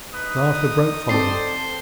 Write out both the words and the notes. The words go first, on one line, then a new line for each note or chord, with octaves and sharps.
Laughter broke from them.
D#4 B4 D#6
C4 A4 C5 D5